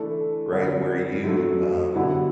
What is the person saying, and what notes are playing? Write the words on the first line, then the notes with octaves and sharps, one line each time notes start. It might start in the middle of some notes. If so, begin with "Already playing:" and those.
right, where you, um,
Already playing: E3 A3 D4 A4
D3 G3 C4
F#2 F#3 A3
D3 F#3 B3 E4 G4